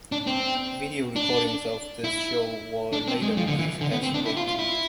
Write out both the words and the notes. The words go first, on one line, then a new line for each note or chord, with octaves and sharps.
Video recordings of this show were later released as "Wake".
D4
C4
D4
E4
D4
C4
G#3
F3
D3
E3
D3
B3
C4
D4
E4
F4
F4
E4